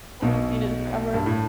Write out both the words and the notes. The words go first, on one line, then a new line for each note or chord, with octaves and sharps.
I haven't seen it in forever.
B1 B2
G2
A2